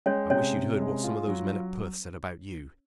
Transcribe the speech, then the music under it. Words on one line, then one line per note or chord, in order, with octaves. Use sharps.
"I wish you'd heard what some of those men at Perth said about you."
G#3 C#4 C#5
C3 C#4 C#5
C3
G#3
F4
F#3